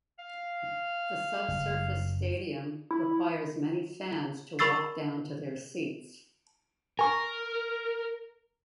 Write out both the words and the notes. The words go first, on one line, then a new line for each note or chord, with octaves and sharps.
The subsurface stadium requires many fans to walk down to their seats.
F5
F#1 F#2
E4
A#4 B5 C#6 E6 A6 C7
A#4 G#5 C#6